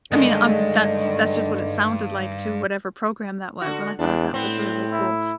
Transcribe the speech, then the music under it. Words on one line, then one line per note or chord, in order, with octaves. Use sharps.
I mean, um, that's that's just what it sounded like to whatever program that was, and I thought that was really cool,
G2 D3 D#3 G#3 A3 D#5
D3 F#4
E2 D4
A2 B3 C4
E4